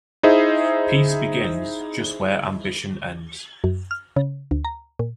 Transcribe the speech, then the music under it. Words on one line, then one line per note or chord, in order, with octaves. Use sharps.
Peace begins just where ambition ends.
D#4 E4 G#4 C5 D#5 E5
F#2
F6
C#3
D2
A#5
A#2